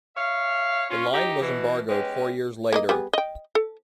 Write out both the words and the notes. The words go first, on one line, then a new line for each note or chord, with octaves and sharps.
The line was embargoed four years later.
C#5 E5 F5
C#4 F4
D#4 G4
B2 E3
G#3 B3 C#4 G4 B4
A#3 A#4 D#5
G3 B3 G#4
D#5 G5
A4